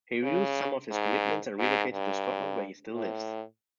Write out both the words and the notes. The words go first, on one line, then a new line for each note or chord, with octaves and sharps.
He reduced some of his commitments and relocated to Scotland where he still lives.
C#3
G#2
G#2
G2
A2